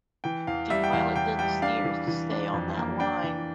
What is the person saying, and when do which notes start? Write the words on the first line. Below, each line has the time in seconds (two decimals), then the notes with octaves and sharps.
The pilot then steers to stay on that line.
0.24 E3 G5
0.47 E2 F5
0.70 G3 E5
0.84 G5
0.93 E2 F5
1.16 E3 G5
1.39 G3 G5
1.62 D4 F5
1.84 E3
2.07 E3
2.31 D4
2.54 F2
2.77 A#3
3.00 D4 G5
3.23 E3